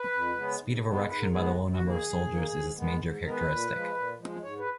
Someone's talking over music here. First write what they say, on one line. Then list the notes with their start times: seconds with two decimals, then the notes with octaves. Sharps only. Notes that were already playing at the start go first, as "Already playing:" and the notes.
Speed of erection by the low number of soldiers is its major characteristic.
Already playing: B4
0.12 F2
0.36 C#3 G#3 B3
0.60 G#2
0.84 D#3 G#3 B3
1.08 G#2 B4
1.20 A#4
1.32 D#3 G#3 B3 G#4
1.44 F#4
1.56 F#2
1.72 F#4
1.80 D#3 A#3
1.88 G#4
2.04 F#2
2.27 D#3 A#3
2.52 G#2
2.75 D#3 G#3 B3
2.99 G#2
3.23 D#3 G#3 B3 A#4
3.31 B4
3.47 A#2
3.71 F3 G#3
3.95 A#2
4.18 F3 G#3
4.43 G#2 C#5
4.59 B4